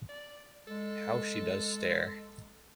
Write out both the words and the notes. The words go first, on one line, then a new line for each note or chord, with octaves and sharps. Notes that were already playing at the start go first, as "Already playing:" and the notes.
How she does stare!
D5
G#3 A4